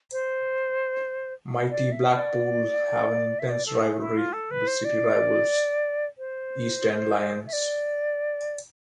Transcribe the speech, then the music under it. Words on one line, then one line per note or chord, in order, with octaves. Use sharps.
Mighty Blackpool have an intense rivalry with city rivals East End Lions.
C5
D5
E5
D5
E5
D5
A4
G#4
E4
F4
A4
B4
C5
D5
C5
E5
D5